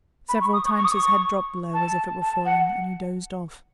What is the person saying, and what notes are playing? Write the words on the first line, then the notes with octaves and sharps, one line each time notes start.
Several times his head dropped low as if it were falling and he dozed off.
B5
C#6
D#6
C#6
C#6
D#6
C#6
A5
A5
F#5